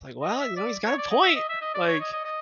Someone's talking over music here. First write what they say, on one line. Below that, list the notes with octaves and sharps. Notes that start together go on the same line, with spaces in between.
like, "well, you know, he's got a point, like"
D#5
E5
D5
C#5
D5
D#5
E5
D#5
E5
D#5
D5
C#5
D#5
D#5
D#5